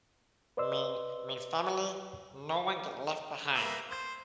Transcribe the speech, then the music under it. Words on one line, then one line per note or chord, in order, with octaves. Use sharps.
mean mean family. No one get left behind,"
B4 C5 D5 D#5 C6 E6
A#3 B4 E5
C5